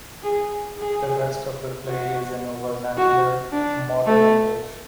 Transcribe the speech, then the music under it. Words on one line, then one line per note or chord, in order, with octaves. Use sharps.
The rest of the play is in a vernacular, modern English.
G#4
G#4
F#4
F#4
D4
A3